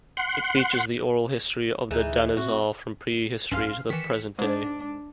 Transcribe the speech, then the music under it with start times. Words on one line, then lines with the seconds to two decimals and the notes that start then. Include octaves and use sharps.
It features the oral history of the Dane-zaa from pre-history to the present day.
0.17 F#5 C6
1.91 D2 E3 D#4 G#4 D#5
2.37 A2 C4 F#4
3.52 B1 G2 C#4 F5 C6
3.90 D#3 E3 B6 C#7 E7
4.38 G#2 D4